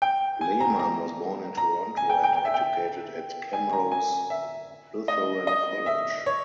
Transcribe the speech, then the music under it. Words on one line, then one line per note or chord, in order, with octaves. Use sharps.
Lehmann was born in Toronto and educated at Camrose Lutheran College.
G5
G#5
A#5
A#5
A#5
G#5
G5
G5
G5
E5
G5
G#5
A#5
G#5
E5
D#5
D#5
E5
C#5